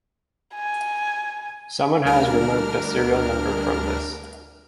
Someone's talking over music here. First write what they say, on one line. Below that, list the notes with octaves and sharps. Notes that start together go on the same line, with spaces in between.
Someone has removed the serial number from this.
G#5
D2 G3 D4 A#4 F6